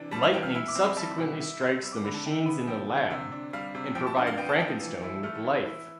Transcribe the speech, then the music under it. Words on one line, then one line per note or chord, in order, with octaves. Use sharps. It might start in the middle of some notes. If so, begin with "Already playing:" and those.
Lightning subsequently strikes the machines in the lab, and provide Frankenstone with life.
Already playing: C3 E3 D4
G3 A5
F5
E3 G5
F6
E4 E6
D6
C4
B5
G3 A5
B2
E4
C4
G3 E6
D6
D3 B5
A5
E4 G5
B3 B5
F3 G5
D3
C3
D4
G3 F5
C3
F3 G5
A5
D4
F5
B3 G5
A5
F3 G5
E3
E4
A3 F6
E3
E4